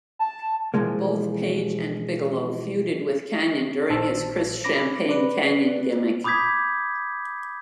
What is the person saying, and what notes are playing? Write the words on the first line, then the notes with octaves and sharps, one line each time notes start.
Both Page and Bigelow feuded with Kanyon during his Chris "Champagne" Kanyon gimmick.
A5
B2 E3 F3 G#3 A#3
A#1 A#2 C5 A5 E6
C#4 B5 D6 A#6
B4 D5
B5 D6 D#6 G6 G#6 B6